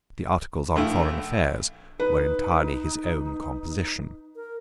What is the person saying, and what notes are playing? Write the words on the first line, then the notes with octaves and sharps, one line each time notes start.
The articles on foreign affairs were entirely his own composition.
A#1 A3 E4 F5
D#4 B4
A#4